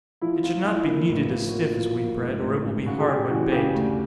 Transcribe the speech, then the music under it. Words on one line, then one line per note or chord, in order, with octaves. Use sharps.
It should not be kneaded as stiff as wheat bread, or it will be hard when baked.
F3 E4
F3 F4
F3 E4
A#3
A1
F3
F#4
A#3 F4
F3
A#3
G#2
A1
G#2
C#3 F#4
G#4
C#3 G4
E3 F#4
C#3 G4
D2